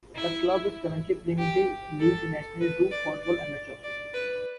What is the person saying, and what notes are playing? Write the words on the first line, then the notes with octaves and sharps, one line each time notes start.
The club is currently playing the Ligue Nationale du Football Amateur.
E4
G4
A4
B4
D5
D5
D5
B4